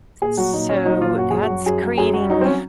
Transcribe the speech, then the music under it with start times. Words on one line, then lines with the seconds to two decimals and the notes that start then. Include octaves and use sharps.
So, that's creating
0.21 A#2 G#4
0.37 F#3 F#4
0.53 A#2 D#4
0.69 A#2 C#4
0.85 F#3 D#4
1.01 A#2 F4
1.18 F#2 F#4
1.30 F#2 G#4
1.43 F#4
1.50 F#3
1.66 F#2 G#4
1.82 F#3
1.98 F#2 G#4
2.13 F#3 F#4
2.30 F#3 D#4
2.41 C4
2.45 F#3 C#4